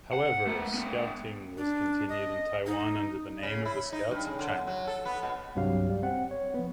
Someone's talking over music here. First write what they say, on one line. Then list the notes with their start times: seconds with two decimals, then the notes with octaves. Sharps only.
However, Scouting has continued in Taiwan under the name of the Scouts of China.
0.13 F#5
0.47 A3 B3
0.74 B3 D4
1.57 D4
2.09 D#5
2.66 D#4
3.43 C#3
3.65 E4
3.93 D#4
4.11 G2
4.25 C#3
4.39 D3
4.52 F#2
4.67 F#3
4.87 A4
5.05 B3
5.23 B2
5.55 C2 G2 F#3 C4 G4 F5
5.89 G3
6.02 C4 F#5
6.31 C#5
6.54 F3 B3